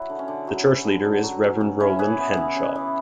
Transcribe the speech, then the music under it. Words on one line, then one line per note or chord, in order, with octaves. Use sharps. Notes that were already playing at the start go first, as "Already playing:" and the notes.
The church leader is Reverend Rowland Henshaw.
Already playing: F#3 E4 F#4 G#4
D3
C#4
D3
F#3
C#4
D3
D3
F#3
C#4
C#3
C#3 C#4 E4
E3 G#4 B4
B3
C#3
C#3
E3